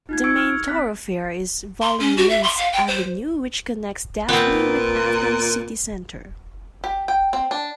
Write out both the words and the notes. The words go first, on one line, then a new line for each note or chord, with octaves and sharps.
The main thoroughfare is Vouliagmenis Avenue, which connects Dafni with Athens city centre.
D#4 F4 G#6
C#6 E6 G#6 C#7 D7
F6
D7
C4 F#6 B6
C6
C#4
F#4
E5
C6
F5
G5
C5
A#2 B3 C4
G4
G5
C4
D4